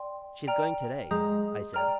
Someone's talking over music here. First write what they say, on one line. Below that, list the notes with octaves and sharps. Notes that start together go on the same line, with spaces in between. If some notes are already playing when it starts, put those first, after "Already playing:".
"She's going to-day!" I said.
Already playing: D5 G5 C6
D5 G5 A#5 F6
G#3 D#5 A#5 D#6 G6
D5 G5 A#5 F6